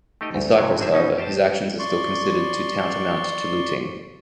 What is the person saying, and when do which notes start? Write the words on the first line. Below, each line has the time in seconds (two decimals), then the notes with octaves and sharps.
In Cyprus however, his actions are still considered to tantamount to looting.
0.21 A3 D#4 G4 D#5
0.35 D2
0.58 G2 C3 F#3
0.79 G#1 C4 G#4 C5 E5
0.92 B2 C#4 D#4
1.18 G4 C5 A5
1.79 D5 C6 C#6